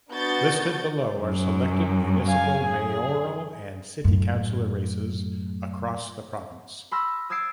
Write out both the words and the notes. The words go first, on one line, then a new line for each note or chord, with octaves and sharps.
Listed below are selected municipal mayoral and city councillor races across the province.
B3 D4 F#4 G6 A6
F#2
F5 G#5
G#4
F#2 A2
B5 C6 E6 F6 A#6
D#6 E6 G#6 A6 C7 D7